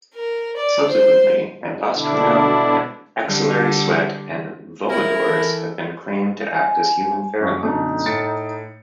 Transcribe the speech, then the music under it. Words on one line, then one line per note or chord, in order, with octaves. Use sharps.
Subsequently, androstenone, axillary sweat, and "vomodors" have been claimed to act as human pheromones.
A#4
D5
C5
B2 D3 D4 E4
D3 G3
E4 A#4
E3 A4 B4
G#5
F#2 C#6
F#2 B2 D3 A3 D#4
A2 A6 C#7